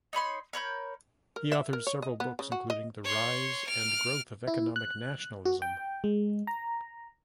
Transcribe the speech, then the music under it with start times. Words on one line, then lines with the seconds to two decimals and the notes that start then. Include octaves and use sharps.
He authored several books, including "The Rise and Growth of Economic Nationalism".
0.13 D#4 C#5 B5 C6
0.53 A#4 C#5 B5 G6
1.36 A#4
1.52 E5
1.73 A#4
1.87 C#5
2.02 D#5
2.20 B3
2.39 C#3
2.52 F#4
2.70 D#5
3.05 C#5 C6
3.67 F6 D7
4.47 E4
4.76 F#6
5.45 F#4
5.62 G5
6.04 G#3
6.47 A#5